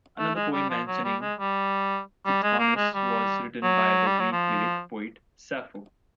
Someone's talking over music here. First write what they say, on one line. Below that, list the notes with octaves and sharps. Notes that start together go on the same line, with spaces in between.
Another poem mentioning Tithonus was written by the Greek lyric poet Sappho.
A3
G#3
G3
F3
F#3
G3
G#3
G3
G3
G#3
A#3
G#3
G3
F#3
G3
F#3
F3